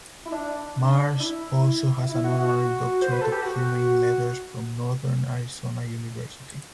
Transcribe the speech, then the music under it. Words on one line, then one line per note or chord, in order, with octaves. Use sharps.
Marsh also has an honorary Doctorate of Humane Letters from Northern Arizona University.
E4
D4
D4
E4
E4
F#4
F#4
C5
B4
A4
G4
F#4